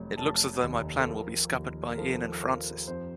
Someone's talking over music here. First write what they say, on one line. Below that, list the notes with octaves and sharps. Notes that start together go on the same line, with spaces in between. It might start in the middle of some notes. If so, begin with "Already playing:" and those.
It looks as though my plan will be scuppered by Ian and Francis.
Already playing: F1 F#3
F1 A5
D#2
A4
F3 A#4
D#2
A#4
F3 A4
F3 A#4
F2 C5